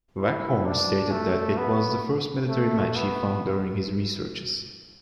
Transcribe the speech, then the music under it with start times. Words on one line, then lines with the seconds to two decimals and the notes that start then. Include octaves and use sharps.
Waghorn stated that it was the first military match he found during his researches.
0.19 E4
0.65 D4
1.11 A3
1.57 B3
2.49 A3
2.96 B3